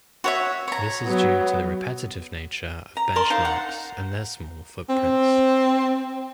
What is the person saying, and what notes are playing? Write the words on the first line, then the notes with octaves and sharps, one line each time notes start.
This is due to the repetitive nature of benchmarks and their small footprints.
F#4 C#5 E5
C#5 A#5
F#3 B3
A#5
A#4 D5 A5 C6
D#4 C5 F5 A5
D#4 F#5
C4